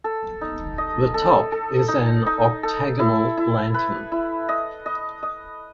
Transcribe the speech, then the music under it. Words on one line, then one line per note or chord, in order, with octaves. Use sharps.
The top is an octagonal lantern.
A4
D#4
D#5
A4
A4
D#4
D#4
A4
E4
E4
B4
E4
D#5
D#5
D#5